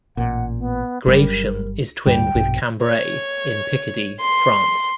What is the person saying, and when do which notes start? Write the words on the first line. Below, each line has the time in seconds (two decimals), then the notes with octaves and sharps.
Gravesham is twinned with Cambrai in Picardy, France.
0.17 A1 A#2 F#5
0.59 B3
1.06 G1 F#3 G3 A#4
2.07 D2 G#2 G3 G5
2.35 A#1 G2 B2
2.82 C#5
4.20 C6